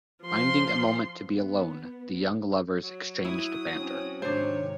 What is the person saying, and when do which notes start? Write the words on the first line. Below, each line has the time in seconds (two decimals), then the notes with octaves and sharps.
Finding a moment to be alone, the young lovers exchange banter.
0.23 F3 C6
1.24 B3
2.82 F#3
3.24 E4 D#6
3.76 C4 C#4
4.22 G#2 C3 D#3 D4 C5 C#5